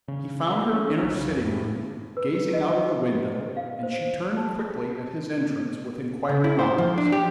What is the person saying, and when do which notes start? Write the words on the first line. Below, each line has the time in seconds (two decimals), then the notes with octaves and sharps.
He found her in her sitting-room, gazing out of the window, and she turned quickly at his entrance with inquiring eyes.
0.08 C#3
0.57 A#3
0.73 C#4
1.02 B1
1.16 C#3
1.28 F2
1.45 A2
2.17 B4
2.53 D#5
3.57 F5
3.83 C5
4.37 A5
6.29 C#3
6.44 E4
6.59 C5
6.78 F3
6.98 D4
7.12 G4